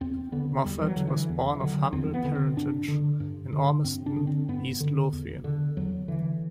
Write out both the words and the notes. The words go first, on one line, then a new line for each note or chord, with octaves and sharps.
Moffat was born of humble parentage in Ormiston, East Lothian.
E2 C4
D3 B3
E2 G3
E3
F#3
D3
E3
E2
E3
D3 F#3
E2 C4
B3
D3
C4
G2 D4
D3
G2
D3
G2 C4
D4
D3
C4
G2 B3
D3
E2
D3
E2 F#3
D3 E3